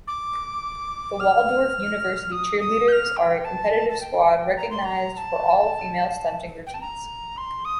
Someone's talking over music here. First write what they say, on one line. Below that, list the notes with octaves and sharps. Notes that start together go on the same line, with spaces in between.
The Waldorf University Cheerleaders are a competitive squad recognized for all-female stunting routines.
D6
F6
D#6
D#6
G6
F6
G5
A5
A5
G5
A#5
C6
A#5
A#5
A5
G5
A5
A#5
C6
D#6